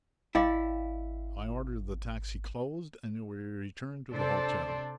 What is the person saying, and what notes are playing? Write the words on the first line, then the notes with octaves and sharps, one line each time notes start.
I ordered the taxi closed and we returned to the hotel.
G#1 E4 D5 D#5 F5 G5
C3 D4 A4 C5